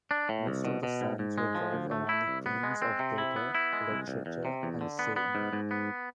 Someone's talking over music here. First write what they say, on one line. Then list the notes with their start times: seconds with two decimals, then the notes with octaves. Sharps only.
Most of the songs revolve around the themes of theater, literature, and Satan.
0.11 D4
0.29 A2
0.47 C2
0.65 B2
0.83 B2
1.01 G#2
1.19 G#2
1.38 G#3
1.55 F3
1.73 D2
1.91 A3
2.09 E4
2.28 C2
2.46 B3
2.63 G#3
2.82 C4
2.99 C3
3.18 E4
3.36 B3
3.55 E4
3.73 G#3
3.91 C2
4.08 C2
4.26 E2
4.45 C3
4.63 E2
4.81 D3
4.99 B3
5.16 B3
5.35 G#2
5.53 G#2
5.71 B3